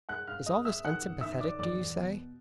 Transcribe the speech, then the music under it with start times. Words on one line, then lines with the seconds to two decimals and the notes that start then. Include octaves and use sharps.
Is all this unsympathetic, do you say?
0.09 G#3 F#5 F#6
0.27 G2 F5 F6
0.46 G#3 D#5 D#6
0.65 G#3 E5 E6
0.84 D#3 F#5 F#6
1.02 G1
1.21 D#3 E5 E6
1.40 D#3 D5 D6
1.59 E2 D5 D6
1.78 E2
1.96 B2